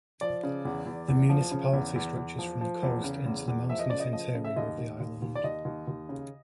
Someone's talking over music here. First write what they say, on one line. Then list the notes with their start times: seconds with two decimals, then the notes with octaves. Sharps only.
The municipality stretches from the coast into the mountainous interior of the island.
0.21 F3 D5
0.43 C#3
0.65 E2
0.86 E2
1.08 E2
1.29 F3
1.51 C#3
1.73 E2
1.95 E2
2.17 E2
2.39 F3
2.61 F3
2.83 E2
3.04 C#3
3.26 E2
3.48 E2
3.69 F3 E5
3.79 D#5
3.90 C#3 D5
4.00 D#5
4.13 F3 D#5
4.35 C#3
4.44 E5
4.56 D#2 D#5
4.78 D#2
5.00 D#2
5.22 D#2
5.35 D5
5.44 D#2 D#5
5.65 D#2
5.87 D#2
6.09 C#3